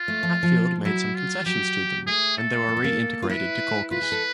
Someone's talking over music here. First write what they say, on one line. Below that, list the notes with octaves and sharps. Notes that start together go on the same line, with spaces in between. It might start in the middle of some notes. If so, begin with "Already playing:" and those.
Hatfield made some concessions to them and they were re-integrated to caucus.
Already playing: F4
A3
F3
F3
F#3 E4
F4
F#3 G4
A3 G#4
A4
A#3
B3
A#3
F4
E4 B4
F4 B4
G#4
A4